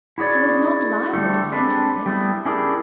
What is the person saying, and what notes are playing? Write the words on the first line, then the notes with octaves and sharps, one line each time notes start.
He was not liable to fainting fits.
E4 F#4 G#4 C#5 D5
D3 G3 A3
G#3 C4 D4 G4 A4 B4
G3 A3 B3 E4
C#4 D4 E4 G4 G#4 A#4